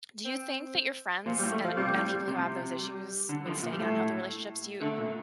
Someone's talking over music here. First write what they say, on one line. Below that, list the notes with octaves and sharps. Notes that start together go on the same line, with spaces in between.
do you think that your friends and and people who have those issues with staying in unhealthy relationships, do you
C4
A#2 F3
G3
A2
A3
F3
C3 G3
A2
C3
G3
D3
D3 F3
A#2
G3
A2 A3
D3 A3
A#2